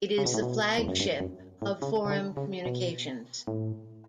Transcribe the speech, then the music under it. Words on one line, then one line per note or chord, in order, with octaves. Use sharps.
It is the flagship of Forum Communications.
C#3
B2
A2
B2
E2
F#2
G2
F#2
A2
C#3
C#3
D3
C#3
B2
A2